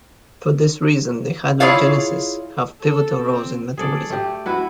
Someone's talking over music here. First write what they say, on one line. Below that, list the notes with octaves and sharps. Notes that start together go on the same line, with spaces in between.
For this reason, dehydrogenases have pivotal roles in metabolism.
E4 F4 G#4 C#5 D5 F5
A4
C4
G#4 A4 D5
A3 G4
E4 F#4 B4